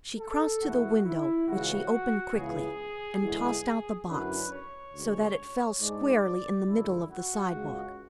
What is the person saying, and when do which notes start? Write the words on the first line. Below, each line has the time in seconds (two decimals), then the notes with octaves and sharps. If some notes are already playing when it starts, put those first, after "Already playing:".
She crossed to the window, which she opened quickly, and tossed out the box, so that it fell squarely in the middle of the sidewalk.
0.19 A4
0.62 E2 B2 A3 E4 F#4
1.05 E4
1.48 C#2 C#3 E3 F#4
2.34 C#2 C#3 E3 B3 G#4
3.21 E2 D3 G#3
4.07 F#2 D3 F#3 C#4 E4 B4
4.50 C#5
4.93 D2 D3 G#3 C#4
5.80 G#2 G#3 D4 D5
6.66 F#2 D3 G#3 D4 E4
7.09 F#4
7.52 C#2 C#3 G#3